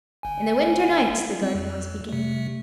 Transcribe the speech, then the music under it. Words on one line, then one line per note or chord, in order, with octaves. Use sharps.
"In the winter-nights--" the Gardener was beginning.
G1 G#5
G3 C4
F2
C3 A3